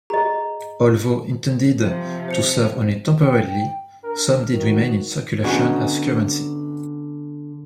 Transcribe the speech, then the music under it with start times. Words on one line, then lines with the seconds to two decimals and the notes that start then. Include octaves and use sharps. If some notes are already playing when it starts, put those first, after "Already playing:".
Although intended to serve only temporarily, some did remain in circulation as currency.
0.10 G#4 D#5 A#5
1.78 C3 F3
2.28 C5 C#7 F7
3.24 G5
4.03 D4 A#4
4.53 D#3 F#4
5.44 D3 B3 C#4 D#4 F#4